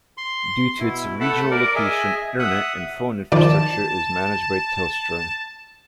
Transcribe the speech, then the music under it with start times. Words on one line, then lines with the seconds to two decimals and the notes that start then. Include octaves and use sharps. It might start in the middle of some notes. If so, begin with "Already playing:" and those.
Due to its regional location, internet and phone infrastructure is managed by Telstra.
0.18 C6
0.80 B2 E4
1.20 A3 A4 F#5 A5 B5
1.51 A#4 D5
1.76 G#4 D#5 E5 G#5
2.39 E5 F#5 D#6 F#6
3.32 D#3 F3 D5 A5